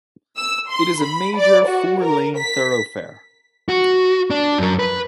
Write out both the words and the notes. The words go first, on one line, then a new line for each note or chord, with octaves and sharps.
It is a major four-lane thoroughfare.
E6
C6
B5
D5
F#4
A#4
B6
F#4
D4
F#2 A#4
B4